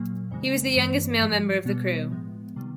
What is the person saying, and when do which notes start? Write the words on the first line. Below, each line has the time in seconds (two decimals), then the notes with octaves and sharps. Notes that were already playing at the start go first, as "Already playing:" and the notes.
He was the youngest male member of the crew.
Already playing: A#2 F#3 A#3
0.31 F2 C#3 E3 G#3
0.76 G2 E3 G#3
1.21 G#2 F3 G#3
1.65 B2 G3 B3
2.11 A2 F3 G#3
2.56 C3 D#3 G3